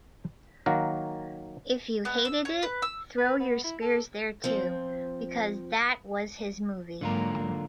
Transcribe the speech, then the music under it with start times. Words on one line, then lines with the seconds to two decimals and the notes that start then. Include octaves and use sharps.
If you hated it, throw your spears there too, because that was his movie.
0.66 D#3 F#3 A#3 F#4 A#4
2.05 B3
2.25 E6
2.45 C#5
2.63 B4
2.82 E6
3.18 B4
3.40 B3
3.64 E4
3.81 A4
4.44 F3 C4
7.01 G#2 D3 F#3 A#3 F4 A#4